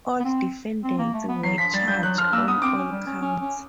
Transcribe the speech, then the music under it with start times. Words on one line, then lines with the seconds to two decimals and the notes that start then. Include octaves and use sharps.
All defendants were charged on all counts.
0.20 B3
0.25 C4
0.84 C4
0.99 A#3
1.14 A3
1.29 B3
1.43 F#3 C7
1.58 F3 B6
1.73 G3 A6
1.88 G3 G6
2.03 F#3 F#6
2.18 F3 F6
2.33 A#3 E6
2.48 B3 D#6
2.62 C4 D6
2.77 C#4
2.92 G3
3.06 C#4
3.22 C#4
3.41 C#4